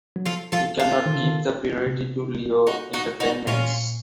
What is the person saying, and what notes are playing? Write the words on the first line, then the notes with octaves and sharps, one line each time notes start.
We cannot give the priority to Lao entertainments.
F#3
F3 F4 A4
F3 F4 A4
F4 A4
D#3
C#3
D#3
C3
D#4 F#4
D#4 F#4
D#4 F#4
A#2 C#4 F4